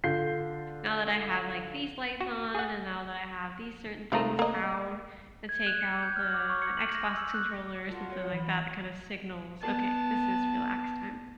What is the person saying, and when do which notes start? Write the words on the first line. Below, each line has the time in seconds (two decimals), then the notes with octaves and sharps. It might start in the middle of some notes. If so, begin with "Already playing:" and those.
now that I have, like, these lights on and now that I have these certain things out let's take out the Xbox controller," or something like that, that kind of signals, "Okay, this is relax time."
0.04 D3 F4 G6 C7
2.21 F#4
2.55 G#4 F#5
4.12 C3 D#3 A3 F4 A#5
4.39 A#3 D#5
5.49 G#6
5.67 F#6
5.81 C#7
6.02 G6
6.16 F6
6.34 D6
6.50 C#6
6.62 C#7
6.77 F#7
6.95 A#6
7.17 E6
7.34 F#6
7.89 F4 F#4 A4 A#4 F#5
8.10 F#3 C#5 G5
8.32 E3 B5
8.49 D#4
9.61 B3 A5